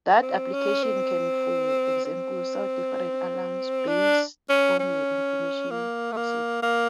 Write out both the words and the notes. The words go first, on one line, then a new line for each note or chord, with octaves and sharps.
That application can, for example, sound different alarms based on the information received.
C4
C#4
C4
C4
D4
C#4
C#4
A#3
A3
A#3
A#3